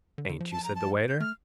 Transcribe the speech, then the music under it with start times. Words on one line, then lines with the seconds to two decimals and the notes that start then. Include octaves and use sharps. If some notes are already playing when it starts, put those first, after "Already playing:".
'Ain't you?' said the waiter.
0.18 D3
0.29 D3
0.40 F3
0.52 A5
0.64 A#5
0.75 A5
1.08 G6
1.20 A3 F6